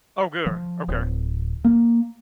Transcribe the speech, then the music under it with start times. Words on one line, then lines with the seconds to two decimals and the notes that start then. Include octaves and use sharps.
Oh, good, okay.
0.46 F3
0.89 D1
1.64 A#3